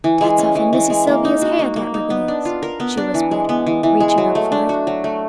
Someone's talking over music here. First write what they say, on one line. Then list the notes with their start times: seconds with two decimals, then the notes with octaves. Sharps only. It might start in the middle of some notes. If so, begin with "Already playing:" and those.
"Dat's off'n Missy Sylvia's hair, dat ribbon is," she whispered, reaching up for it.
0.04 E3
0.21 G#3
0.38 C#4
0.55 E3
0.73 E3
0.90 G#3
1.07 A#3
1.25 D#4
1.42 F#4
1.59 A#3
1.76 A#3
1.94 D#4
2.10 B3
2.28 D4
2.45 F4
2.63 A#4
2.80 B3
2.97 D4
3.14 E3
3.31 G#3
3.49 B3
3.66 E3
3.83 E3
4.00 G#3
4.18 F#3
4.35 A3
4.52 D4
4.69 F#4
4.87 F#3
5.04 A3